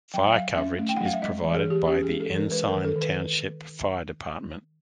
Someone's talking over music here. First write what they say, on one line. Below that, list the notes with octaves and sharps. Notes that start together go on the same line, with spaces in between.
Fire coverage is provided by the Ensign Township Fire Department.
F#3 G5
E5
F#3 F5
C#4 E5
A3
G5
F#5
F#3
F5
E5
G#3 D#5
E3
G#4
E3
G4
C#4 G4
G#4
G#3
A4
E3
A#4
G#3 B4
A#4
D#3
A4
D#3
B4